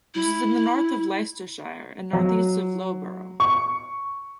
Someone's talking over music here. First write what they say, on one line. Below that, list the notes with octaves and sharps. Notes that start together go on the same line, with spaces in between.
It is in the north of Leicestershire, and north-east of Loughborough.
E4
F#3
C#6